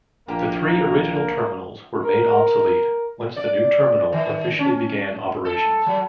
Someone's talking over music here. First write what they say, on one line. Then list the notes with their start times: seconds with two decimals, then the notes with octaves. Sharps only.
The three original terminals were made obsolete once the new terminal officially began operations.
0.28 A#1 A#3 G4 A#4
2.04 A#4
3.36 D5
4.12 D#3
4.59 C#4
5.45 A4
5.86 F#3